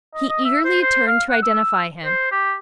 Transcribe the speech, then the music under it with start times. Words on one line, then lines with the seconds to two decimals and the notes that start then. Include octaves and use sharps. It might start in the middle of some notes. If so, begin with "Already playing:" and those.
He eagerly turned to identify him.
0.15 D#5
0.29 D#5
0.45 E5
0.65 C5
0.82 C5
1.07 F5
1.30 F#5
1.42 E6
2.05 C5
2.32 G4